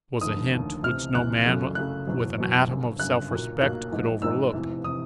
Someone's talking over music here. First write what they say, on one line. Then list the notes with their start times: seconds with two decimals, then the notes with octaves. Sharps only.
It was a hint which no man with an atom of self-respect could overlook.
0.21 F1 D#2 D3 D#6
0.53 F1 D#2 D3
0.83 C#2 C3 E3 F6
1.15 C#2 C3 E3 F#6
1.45 F#2 C#3 F#3 A3
1.75 F#2 C#3 F#3 A3 F#6
2.07 F#1 E2 B2 F#3
2.37 F#1 E2 B2 F#3
2.69 G1 F#2 C#3
2.99 G1 F#2 C#3 F#6
3.30 B1 A#2 F#3 A#3
3.61 B1 A#2 F#3 A#3 F#6
3.92 A#1 G#2 E3 G#3
4.22 A#1 G#2 E3 G#3 E6
4.53 F1 E2 C3 E3
4.84 C3 E3 D#6